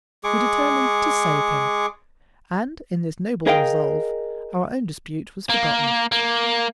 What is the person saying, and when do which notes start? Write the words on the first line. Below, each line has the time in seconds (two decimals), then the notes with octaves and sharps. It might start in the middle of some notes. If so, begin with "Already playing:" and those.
We determined to save him, and, in this noble resolve, our own dispute was forgotten.
0.24 G#3 G#4 C#6 D6
3.47 G#4 A#4 D#5 F5 G5
5.50 A#3
6.12 A#3